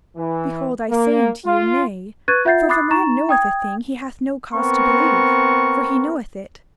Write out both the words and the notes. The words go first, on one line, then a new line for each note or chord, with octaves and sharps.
Behold, I say unto you, Nay; for if a man knoweth a thing he hath no cause to believe, for he knoweth it.
E3
A#3
F4
B4 C#6 F#6 G#6 A6 D#7
F4 E5 F#5 G6 A6 C7
B5 D6 D#6 F#6 A6 C7
D#4 A#5 C#6 A6 E7
G5 D#6 G#6
B3 C4 A#4 C#6